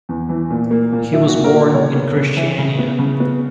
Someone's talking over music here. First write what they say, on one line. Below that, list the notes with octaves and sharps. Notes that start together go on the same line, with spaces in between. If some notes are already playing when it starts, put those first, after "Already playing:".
He was born in Kristiania.
E2
E3
A#2
A#3
A#2
F#3 E4
A#2 F#4
A#4
A#3
C#3 C#5
B3
C#3
E3 E5
C#3
B3
C#3
B3